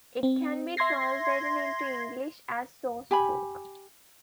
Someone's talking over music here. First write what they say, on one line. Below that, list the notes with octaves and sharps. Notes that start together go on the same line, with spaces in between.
It can be translated into English as "sauce cook".
C4
E5 C6 G#6 A#6 C7
G4 G#5 B5